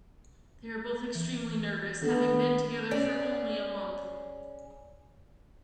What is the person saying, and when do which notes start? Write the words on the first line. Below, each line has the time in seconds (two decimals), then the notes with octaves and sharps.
They were both extremely nervous, having been together for only a month.
1.15 E3
2.02 D#3 B3 D4 A4
2.91 C#4 G#4 D5